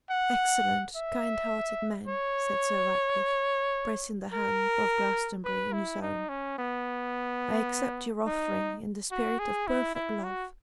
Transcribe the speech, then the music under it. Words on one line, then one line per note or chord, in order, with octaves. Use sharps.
'Excellent, kind-hearted man!' said Sir Ratcliffe, pressing the hand of Glastonbury in his own; 'I accept your offering in the spirit of perfect love.
F#5
E5
C#5
A#4
B4
E4
D#4
C#4
B3
D#4
F#4
G#4
E4
E4
F#4